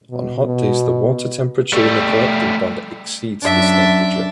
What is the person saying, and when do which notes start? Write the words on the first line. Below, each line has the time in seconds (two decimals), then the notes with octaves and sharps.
On hot days the water temperature in the collecting pond exceeds this temperature.
0.10 B2
0.45 B2
1.73 G3 A3
3.43 F#2 D4 E5